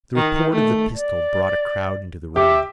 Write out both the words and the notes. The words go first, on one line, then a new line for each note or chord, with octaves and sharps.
The report of the pistol brought a crowd into the room.
D#3
A3
D5
G4 E5 D6